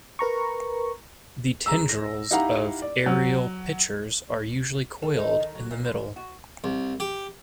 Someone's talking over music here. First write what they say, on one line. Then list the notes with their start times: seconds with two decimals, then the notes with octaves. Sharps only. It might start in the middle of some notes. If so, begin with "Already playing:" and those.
The tendrils of aerial pitchers are usually coiled in the middle.
0.19 A#4 B4 A#5 C#6
1.66 G#4 A#5 E6
1.89 A#6
2.31 D#4 E4 G4 F5 F#5 A#5
2.82 D5
3.06 F#3
5.02 A4
5.17 D#4
5.40 D#3
5.55 F#3
5.71 A#2
5.84 F#2
6.16 F#4
6.64 C2
7.00 G4